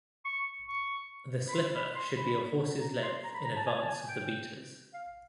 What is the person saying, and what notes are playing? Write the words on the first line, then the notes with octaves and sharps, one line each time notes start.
The slipper should be a horse's length in advance of the beaters.
C#6
C#6
B5
C6
B5
C6
B5
A#5
C6
A#5
B5
A#5
A5
G#5
A5
G#5
G5
F5